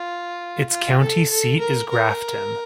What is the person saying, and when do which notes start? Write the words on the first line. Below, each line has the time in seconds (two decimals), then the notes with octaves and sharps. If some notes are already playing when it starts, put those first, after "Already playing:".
Its county seat is Grafton.
Already playing: F4
0.70 F4
1.00 A4
1.30 A4
1.59 A#4
1.90 A#4